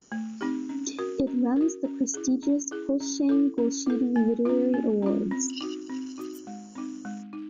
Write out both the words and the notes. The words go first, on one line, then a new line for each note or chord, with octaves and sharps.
It runs the prestigious Hooshang Golshiri Literary Awards.
A3
C4 D#4 G4
C#4
F#4 A#4
C#4
F#4 A#4
C#4
E4 G#4
C#4
E4 G#4
C#4
E4 A4
C#4
E4 A4
A#3
C#4 F4
A#3
C#4 F4
C4
D#4 F#4
C4
D#4 F#4
G#3
C4 D#4
G#3
D#4